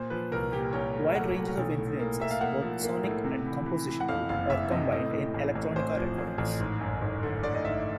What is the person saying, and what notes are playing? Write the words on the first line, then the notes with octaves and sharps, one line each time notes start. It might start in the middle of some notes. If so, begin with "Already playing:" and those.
Wide ranges of influences, both sonic and compositional, are combined in electronica recordings.
Already playing: A#2 C5
F3 B4
C2 A#4
A#2 G4
C2 C#5
A3
A3 F#5
A3
B1
A2
A#3
A#3 E5
F5
A#3 F#5
F3
A#3
A2
C3
E3
E3
E3
F#5
F2 F5
F#1 F5
F#1 E5
C3 D#5
A2 D#5
A2
A1
A1
A1 C5
F3
A1
A1
G#1
F#2
G#1
D3
D3 D5
D#5
G#1 E5